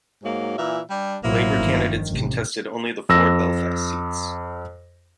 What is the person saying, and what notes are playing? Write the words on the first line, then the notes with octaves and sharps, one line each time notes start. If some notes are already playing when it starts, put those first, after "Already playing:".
Labour candidates contested only the four Belfast seats.
G#2 F#3 A#3
A#2 E3 E5
G3 D4
A1 B2 F#3 A#3 C4 E4
G1 F2 D#3
A1 A2 C3
F2 E6 A#6